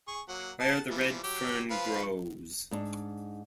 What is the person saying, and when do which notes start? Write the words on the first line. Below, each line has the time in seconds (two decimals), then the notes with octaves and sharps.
Where the Red Fern Grows...
0.08 G#4 C#6
0.28 F#3 A#3 F#5
0.60 F#5 A5
0.90 E3 F3 G3
1.23 F#3 G4
1.70 F3 B4 F5
2.71 G#2 D4